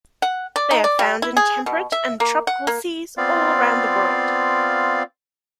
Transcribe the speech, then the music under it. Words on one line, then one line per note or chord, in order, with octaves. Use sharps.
They are found in temperate and tropical seas all around the world.
F#5
D5
D#4
D5
G3
E4
G#4
B2
E5
A#3
F#5
A#3
B3 C4 F4 D5 F5